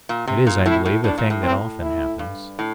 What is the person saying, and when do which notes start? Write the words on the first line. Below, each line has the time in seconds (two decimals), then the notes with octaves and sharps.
It is, I believe, a thing that often happens.
0.09 A#2
0.27 C3
0.47 A#2
0.66 A2 E4
0.85 A2
1.04 A2 D4
1.18 A#2
1.30 A2
1.43 C4
1.82 E4
2.19 G2
2.59 A2